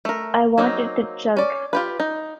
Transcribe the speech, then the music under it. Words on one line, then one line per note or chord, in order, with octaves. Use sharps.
I want it to chug.
A3 A#4
F#3 A#3 C4 D#4
C#4 D5
F4 G4 B4
D#4